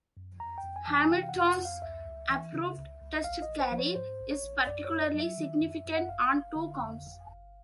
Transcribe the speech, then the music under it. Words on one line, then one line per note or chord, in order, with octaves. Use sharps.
Hamilton's abrupt test career is particularly significant on two counts.
F#2
F2 A#5
G5
F2
G#5
E3 A5
G#5
C3 G5
F5
F#5
F2
F#5
F2
F5
C#2 E5
C#2
E3
C#3
C#2
C#2
A#1 F5
D#5
A#1
C5
F3
C#5
G#2 C5
A#1
C#5
A#1
F#2 D5
C#5
F#2
D#5
F#3
E5
D#3
F#2
F#2
F#5
G1 F5
G1
D3
F2
G1
G1